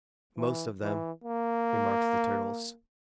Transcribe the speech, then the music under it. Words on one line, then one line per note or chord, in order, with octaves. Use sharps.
"Most of them," remarked the Turtles.
E3
E3
A#3